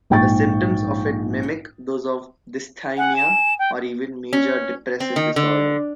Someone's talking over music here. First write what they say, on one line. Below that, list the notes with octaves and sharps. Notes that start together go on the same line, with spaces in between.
The symptoms of it mimic those of dysthymia or even major depressive disorder.
A#1 G#2 G5 C#6 A6
F#5 G#5
E7
G5
C#4
C4
D#3
D3